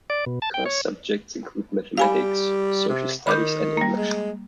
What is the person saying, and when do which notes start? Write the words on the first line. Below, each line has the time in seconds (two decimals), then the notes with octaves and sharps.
Core subjects include mathematics, social studies and English.
0.10 D5
0.26 B2
0.42 A5
0.54 G5
0.66 C#5
1.97 G3 F5 G#5 B5
2.89 C3
3.27 D#3 B5 D6 G6
3.77 G3 A#3
3.97 G#3